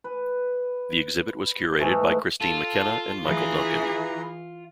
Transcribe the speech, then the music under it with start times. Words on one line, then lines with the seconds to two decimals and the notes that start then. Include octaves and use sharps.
The exhibit was curated by Kristine McKenna and Michael Duncan.
0.04 B4
1.79 G#2 E3 A3
2.41 F4 A4 A5
3.26 E3 E4 G#4 B4 A#5